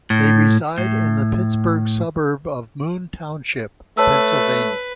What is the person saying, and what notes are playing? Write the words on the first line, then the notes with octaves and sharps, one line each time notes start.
They reside in the Pittsburgh suburb of Moon Township, Pennsylvania.
A2
A2
A3 B4 C#5 A5 E6